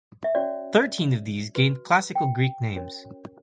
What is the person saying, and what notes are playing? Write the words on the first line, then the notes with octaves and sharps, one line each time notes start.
Thirteen of these gained classical Greek names.
E5
C#4 F#4 C#5 D5
F#4 B4
G5
C#4 F#4 A#4 C#5